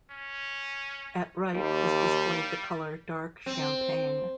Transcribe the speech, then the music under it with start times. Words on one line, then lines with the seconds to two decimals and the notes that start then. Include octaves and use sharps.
At right is displayed the color dark champagne.
0.11 C#4
1.54 D#2 G3
3.46 C4